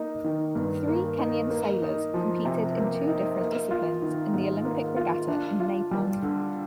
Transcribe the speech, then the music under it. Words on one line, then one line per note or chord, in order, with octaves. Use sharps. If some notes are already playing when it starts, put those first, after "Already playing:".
Three Kenyan sailors competed in two different disciplines in the Olympic Regatta in Naples.
Already playing: A#3 D#4
D#3
G2
A#3
D#4
A#3
D#4
F3
C3
A#3
D#4
A#3
F4
D#3
G#2
A#3
F4
D4
F4
G3
D3